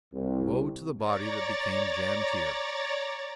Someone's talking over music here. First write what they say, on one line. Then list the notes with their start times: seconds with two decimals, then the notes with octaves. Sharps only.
Woe to the body that became jammed here!
0.13 C2
0.98 C#5 D5 A#5 A6